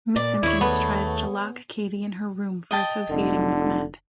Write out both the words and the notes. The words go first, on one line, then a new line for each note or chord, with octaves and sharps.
Miss Simpkins tries to lock Kate in her room for associating with Matt.
A#2 D5
D#2 E4 G#4 C#5
A3 B3
D#5 G5 A5
F1 D3